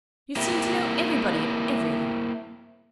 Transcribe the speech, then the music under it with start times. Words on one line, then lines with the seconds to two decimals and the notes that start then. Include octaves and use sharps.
You seem to know everybody, and everything.
0.36 A#3 C4 E4 G4